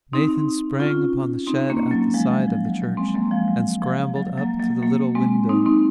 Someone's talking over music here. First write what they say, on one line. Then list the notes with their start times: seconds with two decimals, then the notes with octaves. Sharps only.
Nathan sprang upon the shed at the side of the church, and scrambled up to the little window.
0.13 C4 D#4
0.79 C#4 F4
1.47 C4 D#4
1.70 A#3 C#4
1.91 F#3 A#3
2.14 F3 G#3
2.31 F#3
2.48 F3
2.65 F#3
2.82 F#3
2.97 G#3 C4
3.14 F#3 A#3
3.31 F3 G#3
3.48 F#3
3.82 F3
4.16 F#3
4.38 F#3 A#3
4.59 F#3 A#3
4.82 F#3 A#3
5.15 G#3 C4
5.49 C4 D#4
5.66 C4 D#4